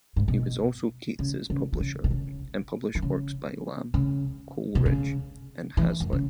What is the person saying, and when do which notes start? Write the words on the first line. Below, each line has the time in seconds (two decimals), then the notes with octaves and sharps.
He was also Keats's publisher, and published works by Lamb, Coleridge and Hazlitt.
0.16 G#2
0.28 B2
1.19 C#3
1.50 C#3
1.73 E3
1.80 C#3
2.04 B2
2.11 C#3
2.95 E3
3.02 C#3
3.94 C#3
4.75 B2
4.86 C#3
5.77 E3
6.00 F#2
6.12 C#3